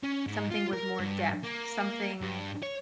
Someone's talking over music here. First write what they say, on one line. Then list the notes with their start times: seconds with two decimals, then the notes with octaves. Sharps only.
Something with more depth. Something
0.04 C#4
0.27 G#2
0.51 F4
0.73 A#4
1.00 G2
1.44 A#3
2.21 G2
2.63 C#5